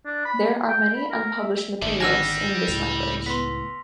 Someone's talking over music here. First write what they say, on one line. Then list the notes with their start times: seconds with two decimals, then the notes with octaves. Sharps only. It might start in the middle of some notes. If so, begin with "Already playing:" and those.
There are many unpublished materials in this language.
0.06 D4
0.25 B5
0.68 G5
0.96 B5
1.10 A#4
1.39 E5
1.82 G#1 D#3 D4 E5
2.00 D3 G3 F#5 G#5 E6 F6 A#6
2.68 C#2 A2 F7
3.26 B3 C6 B6